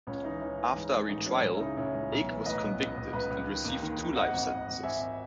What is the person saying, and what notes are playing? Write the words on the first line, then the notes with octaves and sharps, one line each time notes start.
After a retrial, Ake was convicted and received two life sentences.
C#2 C#4
E3 D#4
E3 C#4
E3
G#2
G#2
A1 D#4
F#3 C#4
C#2 C#4
E4
C#3 D#4
C#2 C#4 E4
C#2
B1
E3
A2 B4 D#5
B1
C#2
C#2
C#2 B4 D#5
C#2
D#3
D#2
D#3
D#3
G#1 D#5 F#5
G#1
G#1
G#1
G#1 E5 G#5
G#1